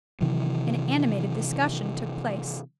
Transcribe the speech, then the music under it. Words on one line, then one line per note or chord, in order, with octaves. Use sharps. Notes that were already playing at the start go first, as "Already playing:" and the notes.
An animated discussion took place.
C3 D#3 E3 F#3